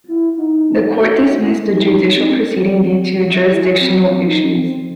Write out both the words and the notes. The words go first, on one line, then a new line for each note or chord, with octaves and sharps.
The court dismissed the judicial proceeding due to jurisdictional issues.
E4
D#4
F#4
D#4
F#4
E4
D#4
E4
D#4
D#4
C4
D#4
C4
E4
C4
C4
D#4
C4